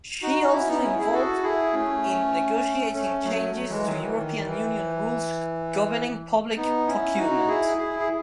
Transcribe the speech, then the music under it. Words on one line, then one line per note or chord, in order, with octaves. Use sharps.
She also involved in negotiating changes to European Union rules governing public procurement.
D#4 F#4
F#4
C#4 E4
B3 D#4
C#4 E4
E4 G#4
F#4 A4
E4 G#4
A3 C#4
A3 C#4
F#3 A3
F#3 A3
E3 G#3
D#3 F#3
E3
D#3
E3
B3 D#4
C#4 E4
D#4 F#4
E4 G#4
E4 G#4
G#4